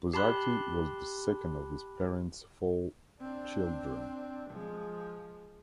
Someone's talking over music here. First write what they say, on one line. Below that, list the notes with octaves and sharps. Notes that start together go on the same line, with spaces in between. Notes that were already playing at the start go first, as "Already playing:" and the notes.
Buzzati was the second of his parents' four children.
G4 A5 B5 C6 F#6
C4 D4
F3 G#3